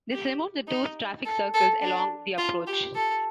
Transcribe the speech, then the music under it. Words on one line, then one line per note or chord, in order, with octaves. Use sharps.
This removed the two traffic circles along the approach.
G4
D#4
A4
A4
D4
F4
G4
A4